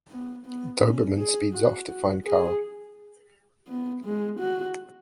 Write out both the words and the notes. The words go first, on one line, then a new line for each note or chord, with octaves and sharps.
Doberman speeds off to find Carl.
B3
B3
C#4
G#4
F#4
F#4
G#4
B3
G#3
F#4